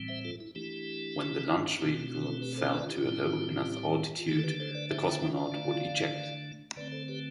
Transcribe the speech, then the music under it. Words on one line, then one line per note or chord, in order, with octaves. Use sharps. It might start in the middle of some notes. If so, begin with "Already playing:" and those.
When the launch vehicle fell to a low enough altitude, the cosmonaut would eject.
Already playing: A2 E3 G3 C4
C5 E5
F4 A4
E4
E3 A3 D4 E4 G4
B2 A3 C4 E4 G4
F4
F4
B4
F4 A4
G4 B4
A4 C5
B4 D5
F4
E4 G4
A2 G3 C4
F4
D3 A3 D4 E4 G4
A4
G4 B4
A4 C5
B4 D5
C5 E5
E5 G5
E5 G5
D5 F5
D3 A3 D4
D3 A3 C4 B4 D5
A4 C5
G4 B4